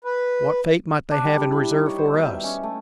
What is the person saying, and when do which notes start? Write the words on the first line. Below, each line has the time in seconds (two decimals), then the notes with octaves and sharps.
What fate might they have in reserve for us?
0.05 B4
1.11 D4
1.25 G3
1.40 E4
1.52 B5
1.71 D#3
1.86 C#5
1.98 C5
2.14 B2
2.26 E5
2.44 C#4
2.63 A3